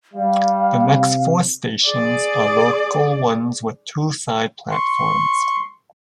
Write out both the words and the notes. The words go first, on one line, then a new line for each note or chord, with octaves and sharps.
The next four stations are local ones with two side platforms.
G3 F5
C3
G#4 D5
C6 C#6